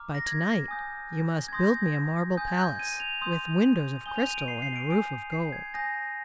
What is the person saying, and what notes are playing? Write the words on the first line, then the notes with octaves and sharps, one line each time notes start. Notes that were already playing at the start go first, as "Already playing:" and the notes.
By to-night you must build me a marble palace, with windows of crystal and a roof of gold.
Already playing: A#5 D6 F6
A#6
G#6
G#5 D#6 G6
G#6
C6 D#6 G6 A#6
G#6
G#5 D#6 G6
G#6
G6
G#6
D#7
F7
C6 D#6 G6
G#5 D#6 G6 G7
F7
D#7
D7
C7
C7
D7
G#5 D#6 G6 D7
C7
G#6
G#5 D#6 G6 A#6